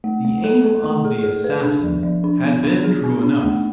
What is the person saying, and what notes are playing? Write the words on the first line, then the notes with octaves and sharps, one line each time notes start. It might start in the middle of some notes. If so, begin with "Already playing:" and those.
The aim of the assassin had been true enough.
A3
A3
A4
A4
A3
G#4
G#4
B4
D4
F3
F3
D4
B3
D4
G#4
B3
D4
A3